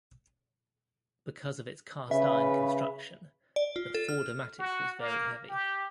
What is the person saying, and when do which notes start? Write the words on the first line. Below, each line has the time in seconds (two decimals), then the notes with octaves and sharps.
Because of its cast iron construction, the Ford-O-Matic was very heavy.
2.11 C#3 B4 E5
3.56 D5
3.76 F4
3.94 A4
4.09 F6
4.59 F#4
4.99 A#3
5.49 G4